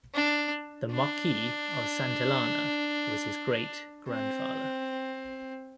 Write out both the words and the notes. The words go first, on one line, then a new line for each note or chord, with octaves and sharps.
The Marquis of Santillana was his great-grandfather.
D4
D4
C4